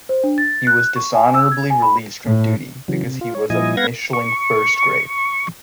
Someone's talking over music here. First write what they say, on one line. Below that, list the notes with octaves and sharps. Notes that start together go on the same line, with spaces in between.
He was dishonourably released from duty because he was a Mischling first grade.
C5
D4
A6
F#6
C#6
G#5
E6
G#6
G#5
B5
A2
C#3 E3 F#3
C3
F4
C#5
A#2 F3 E4 D#5 G#5
B3 B4 F5 F#5 G#6 A#6
C#6